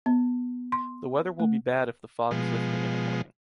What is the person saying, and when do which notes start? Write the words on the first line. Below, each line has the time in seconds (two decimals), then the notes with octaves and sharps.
The weather will be bad if the fog is lifting in the morning.
0.06 B3
0.72 C6
1.39 A3
2.31 B2 F3 G#3